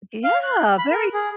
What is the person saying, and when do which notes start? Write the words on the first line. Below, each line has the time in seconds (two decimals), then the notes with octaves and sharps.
Yeah, very
0.24 F5
0.43 F#6
0.78 B5
0.91 A#4
1.14 G#4